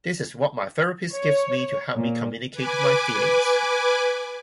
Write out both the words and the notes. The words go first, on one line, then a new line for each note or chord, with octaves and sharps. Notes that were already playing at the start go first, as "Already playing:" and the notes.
This is what my therapist gives me to help me communicate my feelings.
C#5
A#2
B4 G#5 D6